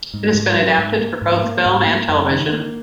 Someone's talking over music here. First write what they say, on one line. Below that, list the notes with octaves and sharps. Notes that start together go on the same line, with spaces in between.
It has been adapted for both film and television.
G#2
G#2
F#3
G#2
A#3
G#2
A#3
G#2
A#3
F#2
D#3
A#3